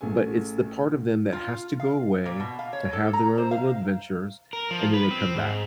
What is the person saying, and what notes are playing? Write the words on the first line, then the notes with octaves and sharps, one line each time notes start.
but it's the part of them that has to go away to have their own little adventures and then they come back.
A1 A3 G#4 G#5
F4
F5
A#2
B2
F5
C#5
A4
A#5
C5
F5
A#4
F3
B4
C4
G#2